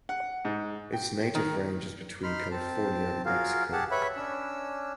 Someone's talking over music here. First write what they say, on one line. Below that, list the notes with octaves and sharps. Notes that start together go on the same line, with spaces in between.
Its native range is between California and Mexico.
F#5
G#2
G5
D#3
D#4 B5 C6 F6
C4 A5
F4 F#4 G#4 A#4 F5
G4 G#4 F#5 A5
B4 C#5 E5 B5
C#4 D4 E6